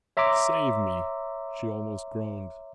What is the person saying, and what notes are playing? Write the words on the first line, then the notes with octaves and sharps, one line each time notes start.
"Save me!" she almost groaned.
C#5 E5 A#5 C6 D6